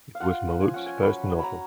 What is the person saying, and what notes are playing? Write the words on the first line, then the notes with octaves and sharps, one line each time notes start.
It was Malouf's first novel.
F5
F4 F#5
F3
G#5
C#4 F#5
G#5
F#3 B5
F#3
A#5 B5